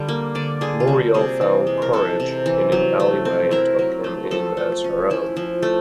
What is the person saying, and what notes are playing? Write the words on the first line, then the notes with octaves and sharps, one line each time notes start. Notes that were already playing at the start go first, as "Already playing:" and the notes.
Muriel found Courage in an alleyway and took him in as her own.
Already playing: D3 G3
A#3
D3 D5
D3 G#4
F4
G3 F#4
C3 G#4
E3
G#3
A#4
C3 A4
C3
E3
F#3
A3
C4
E4 A#4
F#3
A3
F3 A4
A3
C#4
F3 E4
F3
A3